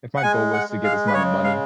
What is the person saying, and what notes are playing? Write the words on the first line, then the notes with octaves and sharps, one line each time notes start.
if my goal was to get this amount of money,
F#5
G#3 G#5
F#5
G#3
F5
B4
C#3 C#5
F5